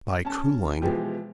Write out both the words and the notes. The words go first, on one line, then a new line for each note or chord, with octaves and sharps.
"By cooling?"
C#4 A5
B2 E3 F3 G#3 G4